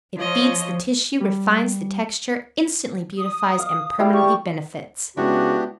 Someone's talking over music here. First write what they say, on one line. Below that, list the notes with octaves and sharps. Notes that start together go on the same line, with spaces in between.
It FEEDS the tissue, REFINES the texture, INSTANTLY beautifies, and PERMANENTLY benefits.
F3 C#5 D#5
G3
D#6
F5
G3 E4 D5
G4 C#6
C#3 G#3 B3 D4 E4 F#4 G4